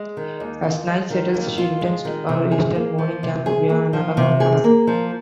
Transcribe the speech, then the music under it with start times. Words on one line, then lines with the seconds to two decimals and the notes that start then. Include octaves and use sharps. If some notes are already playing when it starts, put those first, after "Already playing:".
As night settles, she returns to her eastern morning camp via an underground tunnel.
Already playing: G#3
0.17 D#3
0.40 D#2
0.64 F4
0.87 G#3
1.10 D#3
1.34 D#2
1.58 F4
1.81 G#3
2.05 D#3
2.29 C3
2.51 G#4
2.75 A#3
2.98 F3
3.23 C3
3.46 G#4
3.69 A#3
3.93 F3
4.17 C3
4.40 G#4
4.64 A#3
4.87 F3